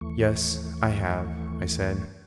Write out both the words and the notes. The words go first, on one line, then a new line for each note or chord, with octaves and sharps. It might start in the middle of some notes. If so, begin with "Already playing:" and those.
"Yes, I have," I said.
D#2 E3 A3 C#6